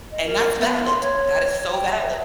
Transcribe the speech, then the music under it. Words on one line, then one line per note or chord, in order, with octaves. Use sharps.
And that's valid. That is so valid.
D#5
A#4
B3
C6
C#5
G5
E5